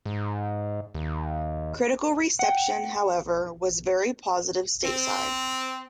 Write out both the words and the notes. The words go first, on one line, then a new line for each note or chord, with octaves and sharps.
Critical reception, however was very positive stateside.
G#2
D#2
F#5 G5
C4